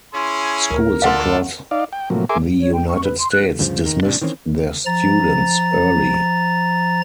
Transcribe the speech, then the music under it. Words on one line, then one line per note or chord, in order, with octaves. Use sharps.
Schools across the United States dismissed their students early.
C#4 E4 G#4 C6
D2 A#4
D4 F4 A4 F5 F#5 C6
D#4 D5 F5
G5
A2 C3 F3 F#3 A#3
G#4 A#4 E5 G#5 C6 D6
C#5
G5
C#6
B4
C6
F#6
D2 G2 C#3 F3
D#3
A1 C3 D4
D#3 E3 C4 C#4
F3 A#5 A6